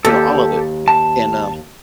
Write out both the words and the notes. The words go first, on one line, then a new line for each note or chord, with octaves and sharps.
you know, all of it m and, uh,
D#2 G4 A4
A5